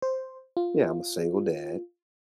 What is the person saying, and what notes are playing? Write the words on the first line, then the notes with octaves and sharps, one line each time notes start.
yeah, I'm a single dad.
C5
F4